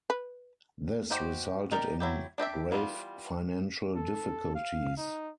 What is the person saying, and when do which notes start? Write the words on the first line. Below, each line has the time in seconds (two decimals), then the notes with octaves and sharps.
This resulted in grave financial difficulties.
0.10 B4
1.10 D#4 F#4 G4 C5
1.71 D#4 G4 A#4 D5
2.00 F#3 E4 G4
2.38 D4 G4 D#5 E5
2.71 E3 G3 B3 E4 F4
3.95 A4
4.55 F5
4.97 D#4